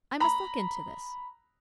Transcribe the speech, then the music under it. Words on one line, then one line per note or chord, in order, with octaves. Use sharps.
I must look into this.
A#5 B5